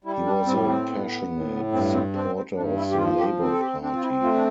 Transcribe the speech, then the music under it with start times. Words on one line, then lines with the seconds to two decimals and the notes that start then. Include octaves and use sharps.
He was a passionate supporter of the Labour Party.
0.04 G3 E4
0.26 D4
0.47 A2 C4
0.68 C4
0.89 B3
1.30 A2
1.72 G2 C4
1.93 C4
2.14 C4 D4
2.35 C4
2.55 G2 D4
2.76 E4
2.91 G4
2.97 F3 F4
3.18 G4
3.39 C4
3.51 A4
3.60 G4
3.81 C4 D4
3.94 F4
4.02 E4
4.23 A3 F4
4.34 D4